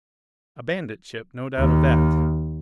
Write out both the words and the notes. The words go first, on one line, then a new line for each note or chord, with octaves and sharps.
A bandit ship, no doubt of that.
D#2